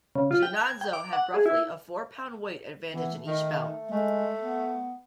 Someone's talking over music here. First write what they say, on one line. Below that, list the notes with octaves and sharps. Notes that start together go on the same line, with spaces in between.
Jannazzo had roughly a four-pound weight advantage in each bout.
C#3
F4
G5
G#6
G5
D6
F#5
G#4
E4
E3 B3
A3
D#3
G#3 A3
B3